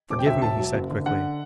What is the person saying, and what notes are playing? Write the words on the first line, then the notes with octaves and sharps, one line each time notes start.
"Forgive me," he said quickly.
E1 D6
G5
D2 E5
E1 A5
F#3
F#1
D3
D3 F#5